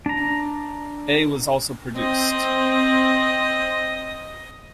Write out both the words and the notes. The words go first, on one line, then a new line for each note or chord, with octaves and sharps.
A was also produced.
D4 A#5
C4 D#5